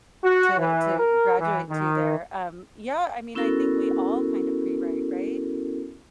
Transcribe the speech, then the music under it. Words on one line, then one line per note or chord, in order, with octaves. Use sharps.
to to graduate to there. Um, yeah, I mean, I think we all kinda prewrite, right?
F#4
E3
A#4
E3
D#3
B3 C#4 E4 F#4 A4 A#4